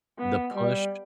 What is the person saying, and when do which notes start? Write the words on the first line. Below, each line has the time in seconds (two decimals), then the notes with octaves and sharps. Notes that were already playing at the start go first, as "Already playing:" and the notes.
The push
0.18 B3
0.55 G3